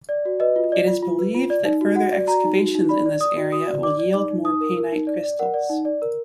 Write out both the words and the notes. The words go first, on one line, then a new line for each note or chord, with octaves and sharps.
It is believed that further excavations in this area will yield more painite crystals.
D5
F#4
B4 D#5
F4
D5
F4
F4
B4
F4
D5
D#4
F#4
F#4 F#5
D5
F#4 A#5
D#4
F#4
D#4
D5 B5
D5
D5 D#6
F#4
F#4 D#6
D5
D5 D6
D5
D#4 D6
D#4
D#4 D#6
A#4
A#4
D#4
D5
D5
A#4 F#5
D5
D#4
D5
A#4